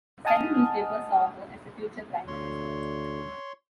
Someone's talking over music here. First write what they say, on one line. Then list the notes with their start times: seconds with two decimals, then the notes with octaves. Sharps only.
Several newspapers saw her as a future prime minister.
0.25 D#5 F#5 G#5 A5 D#6 F6
2.27 D2 C#5 C6